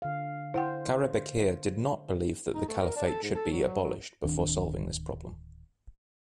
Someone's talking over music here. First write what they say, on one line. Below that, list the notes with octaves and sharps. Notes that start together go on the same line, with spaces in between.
Karabekir did not believe that the caliphate should be abolished before solving this problem.
D3 F5
E4 C5 F#5 G5
D#4
A3
A#4
D4
A4
G#2
A4
F#3
F#3
F#3
D1 D#3 C4 D4